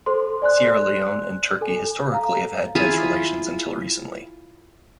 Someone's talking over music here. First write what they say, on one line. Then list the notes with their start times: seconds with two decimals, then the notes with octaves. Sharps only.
Sierra Leone and Turkey historically have had tense relations until recently.
0.06 A4 C5 C6
0.42 D5 G#5 C6 F#6
1.61 A4 G#5
2.12 F5 A#5
2.75 E4 F4 G#4